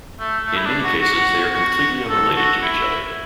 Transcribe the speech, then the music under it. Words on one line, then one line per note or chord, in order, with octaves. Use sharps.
In many cases, they are completely unrelated to each other.
A3
A3
E4
D4
F#4
F#4
F#4
A4
F#4
E4